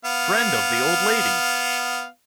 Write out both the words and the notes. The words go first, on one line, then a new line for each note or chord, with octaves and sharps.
Friend of the old lady's.
B3 F5